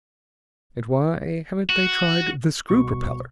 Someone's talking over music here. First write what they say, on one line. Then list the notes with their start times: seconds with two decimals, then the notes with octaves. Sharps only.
And why haven't they tried the screw-propeller?
1.70 F#4
2.69 C2 B2 C#6